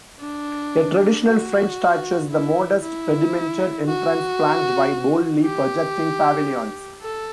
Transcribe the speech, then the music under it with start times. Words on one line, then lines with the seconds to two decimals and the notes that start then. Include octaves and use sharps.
A traditional French touch is the modest pedimented entrance flanked by boldly projecting pavilions.
0.20 D4
1.26 F#4
2.30 E4
2.83 E4
3.87 F#4
5.45 G4
7.02 A4